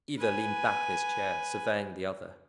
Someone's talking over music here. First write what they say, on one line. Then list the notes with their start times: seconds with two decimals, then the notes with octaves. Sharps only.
Either leaned back in his chair, surveying the other.
0.18 B4 G#5